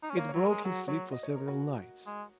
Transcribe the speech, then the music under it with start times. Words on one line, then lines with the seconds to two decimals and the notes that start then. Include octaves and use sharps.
It broke his sleep for several nights.
0.03 D#4
0.10 C#4
0.17 A#3 C#5
0.29 C#5
0.33 F#3
0.41 A#4
0.48 G#3 G#4
0.64 F#3 F#4
0.88 F#3 C#5
1.12 D#5
1.23 C#5
1.35 A#4
1.48 F#4
2.06 G#3